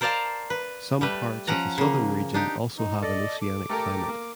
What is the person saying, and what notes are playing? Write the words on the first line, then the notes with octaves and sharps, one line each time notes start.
Some parts of the southern region also have an oceanic climate.
A#4 C5 D5 F5 A5 A#5
B4
G3 A3 B4
F3 C#4 F#5 A#5
C#3 A#3
D4 D#4 G4
D#4
A4 D5 D#5
D6
A3 G4 A4 A#4 A#5
A#3